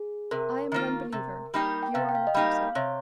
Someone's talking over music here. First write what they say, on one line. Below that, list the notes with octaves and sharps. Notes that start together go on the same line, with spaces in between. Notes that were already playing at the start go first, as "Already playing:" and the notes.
I am an unbeliever: you are an apostle!
Already playing: G#4
C3 A#4
D#3 A#3 F4
C3
G3 A#3 D#4 G4
G5
C3 F5
G5
F5
D#5
G3 A#3 D#4 G4 F5
F5
C3 C#5